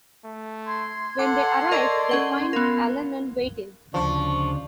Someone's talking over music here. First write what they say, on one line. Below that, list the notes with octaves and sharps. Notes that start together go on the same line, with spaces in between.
When they arrive, they find Allanon waiting.
A3
C6 G#6
A4 F#5 D6
A#4 D5 D#5 C#6
C#4 F#5 G7
B3 F4 A#4
D2 C#3 F3 D4 C#6